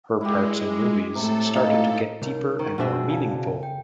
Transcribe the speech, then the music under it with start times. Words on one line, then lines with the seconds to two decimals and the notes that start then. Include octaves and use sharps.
Her parts in movies started to get deeper and more meaningful.
0.21 G#3 E4 G4
1.15 A2 C3 A4
1.55 G#3 D#4 F5
2.22 C2 D#4 A#4 C#5
2.59 D#3 C5 A#5 C#6
2.78 F2 B2 C4 D4 G#4 E5 F#5 E6
3.09 C#3 D5 F5 A5
3.63 G5